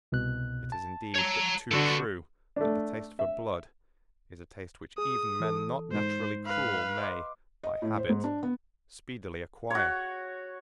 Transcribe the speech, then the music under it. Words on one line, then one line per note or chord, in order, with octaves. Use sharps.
It is indeed but too true that the taste for blood is a taste which even men not naturally cruel may, by habit, speedily acquire.
C2 B2 F#6
A5
C#5 A#5
D3 B3 F#4 A4
A3 D4
E5
G#4 D#6
E3 A4
G#2 G#3 D#4 C5
B4 F5
D#5 C6 D6
D#5
A2
C5
G#2
D4
B3
F#4 C#5